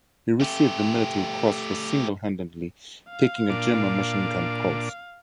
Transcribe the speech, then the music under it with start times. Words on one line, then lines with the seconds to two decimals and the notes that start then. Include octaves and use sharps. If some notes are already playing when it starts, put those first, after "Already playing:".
He received the Military Cross for single-handedly taking a German machine-gun post.
0.41 A3 G4
3.10 F5
3.50 A#2 D4